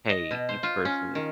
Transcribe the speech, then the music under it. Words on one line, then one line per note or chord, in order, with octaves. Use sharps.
hey, each person is
D#5
B2
C5
F4
C#4
D#3